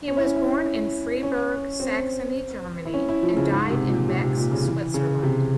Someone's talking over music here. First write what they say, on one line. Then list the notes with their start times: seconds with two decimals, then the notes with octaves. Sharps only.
He was born in Freiberg, Saxony, Germany and died in Bex, Switzerland.
0.08 C#4
0.17 E4
0.25 C#4
0.36 E4
1.23 C#4
1.80 C4
2.86 E4
2.94 C#4
3.09 E4
3.23 F3
3.37 C#3
3.52 G#2
3.70 C3
3.89 A#2
4.08 C3
4.23 C3
4.37 A#2
4.51 C#3
4.65 E3
4.94 C#3
5.23 C3